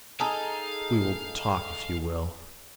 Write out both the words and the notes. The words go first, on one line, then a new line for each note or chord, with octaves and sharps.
"We will talk, if you will."
D#4 G#4 A4 F5 G#5 A5 D#6